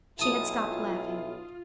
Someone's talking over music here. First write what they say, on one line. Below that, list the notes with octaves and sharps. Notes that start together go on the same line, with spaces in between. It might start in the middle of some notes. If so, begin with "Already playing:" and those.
She had stopped laughing.
B1 E4 F4 A5 D#6